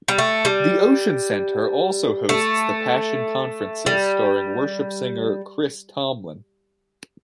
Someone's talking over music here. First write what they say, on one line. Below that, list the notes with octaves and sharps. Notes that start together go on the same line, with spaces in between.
The Ocean Center also hosts The Passion Conferences starring Worship singer Chris Tomlin.
G3
A3
G3
A3
G3